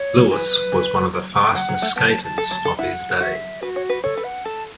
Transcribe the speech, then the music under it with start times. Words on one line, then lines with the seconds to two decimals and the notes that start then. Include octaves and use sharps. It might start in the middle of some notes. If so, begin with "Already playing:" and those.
Lewis was one of the fastest skaters of his day.
Already playing: C#5
0.31 E3 B4
0.72 E3
1.14 F#3
1.55 F#3 F#5
1.69 F#3
1.82 A3
1.96 B3 A5
2.10 A5
2.24 A5
2.38 A4
2.51 F#3
2.65 A4
2.79 E4 F#5
3.20 F#4 E5
3.62 F#4 B4
3.76 C#5
3.90 B4
4.04 A4 C#5
4.17 B4
4.24 F#5
4.45 A4 A5